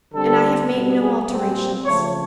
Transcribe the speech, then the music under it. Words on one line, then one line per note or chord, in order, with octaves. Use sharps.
And I have made no alterations.
D3 G3 C4 A4
B2 G3 B3
G#4
A#2 G3 C4
G4
C#3 F3 A3 C#5